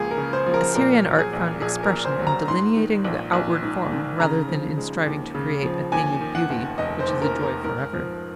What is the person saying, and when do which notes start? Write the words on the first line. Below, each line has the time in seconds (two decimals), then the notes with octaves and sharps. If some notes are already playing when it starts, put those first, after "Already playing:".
Assyrian art found expression in delineating the outward form rather than in striving to create a "thing of beauty" which is "a joy for ever".
Already playing: C#2 F3 A#3 G#4
0.11 A#4
0.18 C#3
0.33 C5
0.46 F3
0.54 A#4
0.75 A#2 A#4
1.04 F#3
1.19 G#4
1.33 A#1
1.62 A#1 G#4
1.83 A#4
1.91 A#2
2.05 C5
2.20 F#3
2.27 A#5
2.48 G#2 C6
2.77 D#3
3.04 A#1
3.33 A#1
3.63 G#2
3.92 D#3
4.20 C#3 A#5
4.48 F3
4.78 G#3
5.06 D#2
5.35 C#3
5.63 F3
5.92 D#2 G#5
6.21 D#3
6.35 F#5
6.50 F1
6.78 F1 D#5
7.00 C5
7.07 D#2
7.22 A#4
7.35 D#3
7.43 A#4
7.64 G#2 A#4
7.93 F3